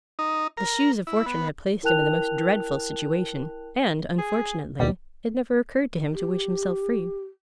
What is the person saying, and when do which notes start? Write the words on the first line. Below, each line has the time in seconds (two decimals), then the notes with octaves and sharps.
The Shoes of Fortune had placed him in the most dreadful situation; and, unfortunately, it never occurred to him to wish himself free.
0.19 D#4
0.57 A#4
1.07 E4
1.26 B3
1.83 E4 A#4 G5 A5 F#6 F7
4.18 G#4
4.80 D#2 B2 G3
6.13 G4